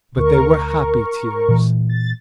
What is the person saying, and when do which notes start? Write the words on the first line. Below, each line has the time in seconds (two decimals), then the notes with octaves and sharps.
But they were happy tears.
0.17 D2 A#4 C#6
1.49 A#2 E3
1.89 A6